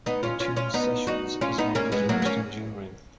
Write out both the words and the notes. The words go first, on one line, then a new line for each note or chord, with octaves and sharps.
The tune "Sessions" is one of his most enduring.
B3 D#4
C#4 F4
C#4 F4
C#4 F4
B3 D#4
D#4 F#4
C#4 F4
B3 D#4
A#3 C#4
G#3 B3
F#3 A#3
B3
A#3 C#4